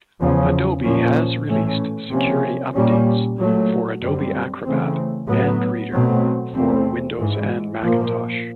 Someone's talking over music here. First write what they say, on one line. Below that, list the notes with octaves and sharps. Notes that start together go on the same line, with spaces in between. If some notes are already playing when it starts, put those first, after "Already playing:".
Adobe has released security updates for Adobe Acrobat and Reader for Windows and Macintosh.
E2 C#3 F3
A#2 F3 A#3 C#4
A2 E3 A3 C#4
C3 F3 A#3 C#4
A#2 G3 A#3 C#4
A#2 F#3 A3
F#2 D3 G3 C4
C#3 E3 A3 C4
A2 F#3 B3
B2 F#3 A3 C4
E2 C3 E3 A3 C4
G#2 E3 G#3
A#2 F3 A#3